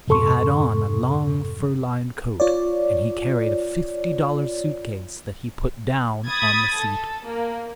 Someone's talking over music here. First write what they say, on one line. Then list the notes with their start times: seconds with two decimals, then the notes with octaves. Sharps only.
He had on a long fur-lined coat, and he carried a fifty-dollar suit case that he put down on the seat.
0.08 F2 G#2 C3 A4 C6 C#6
2.40 F4 C#5 D5
6.28 B5 D#6 G#6 A6
6.78 A4
7.27 A#3